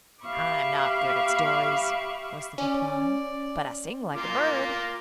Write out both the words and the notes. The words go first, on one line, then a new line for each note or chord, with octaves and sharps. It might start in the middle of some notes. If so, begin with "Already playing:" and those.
"I'm not good at stories," was the reply; "but I sing like a bird."
G4 E5 F5 B5 C#6 D6
C#4 D5
A#3 F4 D6